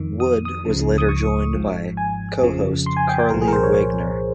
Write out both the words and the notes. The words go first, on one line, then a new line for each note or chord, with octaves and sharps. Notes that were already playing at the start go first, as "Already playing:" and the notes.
Wood was later joined by co-host Carley Wegner.
Already playing: F2 D#3
D#6
D#6
C#2 C#3 F3
D#6
C#6
G#1 G#2 F3
G#5
F2 C#3 F3
C6
G#5
G5
G5
C2 A#2 F3 A#4
G#4
A#4
C5
C#5
C#5